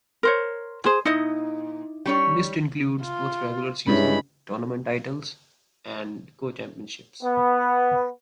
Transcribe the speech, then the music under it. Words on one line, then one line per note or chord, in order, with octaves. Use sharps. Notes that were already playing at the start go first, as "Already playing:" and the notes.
List includes both regular-season, tournament titles, and co-championships.
A#4 C5 C#5
G#4 C5
A#2 D#4 E4 D#5
G3 C#4 C#5
F4
G2 G#3 C#4 E4 B5
B3